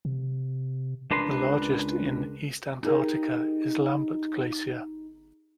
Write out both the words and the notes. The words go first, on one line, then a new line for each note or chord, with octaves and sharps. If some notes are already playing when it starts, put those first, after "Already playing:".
The largest in East Antarctica is Lambert Glacier.
C3
C#2 D4 A#4 B4 C6
D#4 G4 G#4 A#4